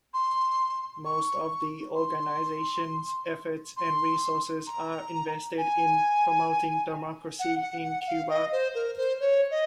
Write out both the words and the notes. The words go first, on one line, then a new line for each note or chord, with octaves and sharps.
Most of the organization's efforts and resources are invested in "promoting democracy in Cuba".
C6
C#6
C6
C6
A#5
G#5
F#5
F#5
F#5
F5
D#5
C5
A#4
C5
C#5
D#5